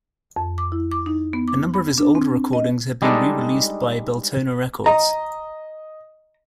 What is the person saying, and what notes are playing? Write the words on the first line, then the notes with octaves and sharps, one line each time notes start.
A number of his older recordings have been re-released by Beltona Records.
F2
D6
E4
D6
D#4
B3
D6
B5
D4
C4
D#5
G3 G#3 D4 D#4 A4
D#5 A#5